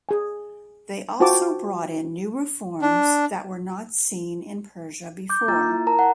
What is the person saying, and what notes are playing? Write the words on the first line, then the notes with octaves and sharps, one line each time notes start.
They also brought in new reforms that were not seen in Persia before.
G#4 G#5
F4 F#4 C5 G5 A5 D6
D4
D6 G6
A#3 F4 A#5 A6
E4
A#4 A5 A#5
F#5 A5